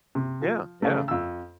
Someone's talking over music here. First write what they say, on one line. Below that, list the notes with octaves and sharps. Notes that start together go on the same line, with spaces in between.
Yeah, yeah.
C3
F3
C#3 A3
F2 E6